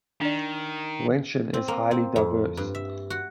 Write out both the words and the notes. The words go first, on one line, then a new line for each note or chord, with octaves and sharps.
Wenshan is highly diverse.
D#3 D4 D5
C4
A#3
C4
F2
G2
E5
F#4